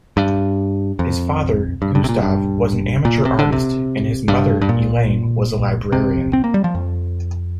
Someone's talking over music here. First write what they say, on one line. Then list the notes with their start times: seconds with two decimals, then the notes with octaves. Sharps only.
His father, Gustave, was an amateur artist and his mother, Elaine, was a librarian.
0.17 G2
0.99 F2
1.82 G2
1.95 G2
2.04 C3
2.09 A#2
2.22 G2
3.05 A#2
3.25 C3
3.39 D3
3.52 C3
4.28 G2
4.62 G2
4.69 A#2
5.92 C3
6.33 C4
6.44 A#3
6.54 G3
6.64 F3
6.75 F2